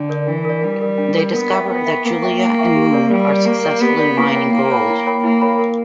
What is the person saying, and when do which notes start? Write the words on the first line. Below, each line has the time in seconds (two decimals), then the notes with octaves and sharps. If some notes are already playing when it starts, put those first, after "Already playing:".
They discover that Julia and Moon are successfully mining gold.
Already playing: D3 D4
0.09 A#4 D5
0.27 E3 D4
0.45 A#4 D5
0.63 G3 D4
0.81 A#4 D5
0.98 D4
1.17 A#4 D5
1.34 B3 A#4
1.51 E5 G5 C#6
1.69 B3 A#4
1.87 E5 G5 C#6
2.05 A#3 A#4
2.22 E5 G5 C#6
2.40 A#3 A#4
2.58 E5 G5 C#6
2.76 G4
2.93 A#4 D5
3.11 G3 G4
3.29 A#4 D5
3.46 A#3 G4
3.64 A#4 D5
3.82 B3 G4
3.99 A#4 D5
4.17 A#3 E4
4.35 A#4 C#5 G5 B5
4.53 A#3 E4
4.71 A#4 C#5 G5 B5
4.88 E4
5.06 A#4 C#5 G5 B5
5.24 A#3 E4
5.41 A#4 C#5 G5 B5
5.59 A#4